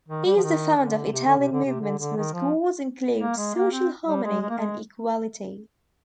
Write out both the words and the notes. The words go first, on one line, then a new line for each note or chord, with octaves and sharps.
He is the founder of Italian movements whose goals include social harmony and equality.
D#3
G3
F3
D#3
D3
C3
D3
C3
D3
C3
D3
D3
D#3
F3
A#3
G#3
A#3
C4
G3
G#3
G#3
A#3
G#3